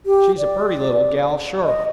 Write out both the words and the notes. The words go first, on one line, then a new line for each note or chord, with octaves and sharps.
"She's a purty leetle gal--shore."
G4
D5
D#5